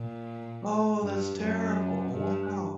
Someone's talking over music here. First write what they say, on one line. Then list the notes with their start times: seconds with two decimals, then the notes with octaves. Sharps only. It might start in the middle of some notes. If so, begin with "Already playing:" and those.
Oh, that's terrible. Wow.
Already playing: A#2
1.02 G2
1.39 F#2
2.12 G2